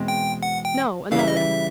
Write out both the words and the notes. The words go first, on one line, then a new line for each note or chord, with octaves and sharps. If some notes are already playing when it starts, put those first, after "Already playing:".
"No, another."
Already playing: E2 B2 G#3 C4
G5
F#5
G5
C#3 E3 G3 F5
E5
D#5
E5